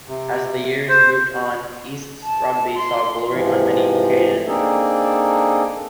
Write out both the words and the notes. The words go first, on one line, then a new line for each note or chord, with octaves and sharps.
As the years moved on, Easts Rugby saw glory on many occasions.
C3
C5
A5
C6
G#2 C3 E3 F3
A#3 C4 D4 D#4 G#4 A4